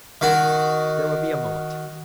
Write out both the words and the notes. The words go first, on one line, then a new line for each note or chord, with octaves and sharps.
There will be a moment!
D#3 F#4